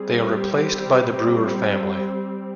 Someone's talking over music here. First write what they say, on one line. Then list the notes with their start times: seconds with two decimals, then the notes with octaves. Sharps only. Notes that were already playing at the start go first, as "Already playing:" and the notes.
They are replaced by the Brewer family.
Already playing: G3 C4 G#4
0.26 G4